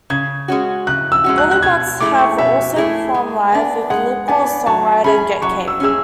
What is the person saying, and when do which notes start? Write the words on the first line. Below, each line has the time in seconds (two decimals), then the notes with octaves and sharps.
Guillemots have also performed live with political songwriter Get Cape.
0.10 C#3 G#6
0.48 G#3 C#4 F#4
0.87 C#3 F#6
1.12 E6
1.24 G#3 C#4 F#4
1.38 F#6
1.51 F#6
1.63 B2 G#6
2.00 A3 E4 G#4 D6
2.19 C#6
2.38 B2 E5
2.76 A3 E4 G#4
3.14 G#3
3.52 B3 D4
3.90 G#3 F#5
4.28 B3 D4 G#5
4.66 F#3 A5
5.04 C#4 G#4 B5
5.42 F#3 C#6
5.68 E6
5.80 C#4 G#4 E6